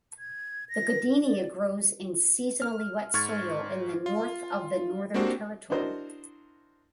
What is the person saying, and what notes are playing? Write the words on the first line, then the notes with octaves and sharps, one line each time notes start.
This goodenia grows in seasonally wet soil in the north of the Northern Territory.
G#6
A#6
D5
F6
G#2 C#6 F6 G#6 A6
F4
A#3 C4 D4 F#4 G4 C5
D4 E4 F#4 A#4 C5 D#5